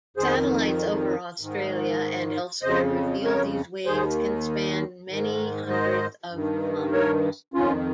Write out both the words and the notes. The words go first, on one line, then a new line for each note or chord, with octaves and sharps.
Satellites over Australia and elsewhere reveal these waves can span many hundreds of kilometers.
F2 D#3 G#4 C5
G#2 D#3
F2 C#3 C5 D#5
A#4 C#5
D#2 D#3 G#4 C5
G#2 D#3
C5 D#5
G2 D#3
A#4 C#5
F2 D#3 C#4 F4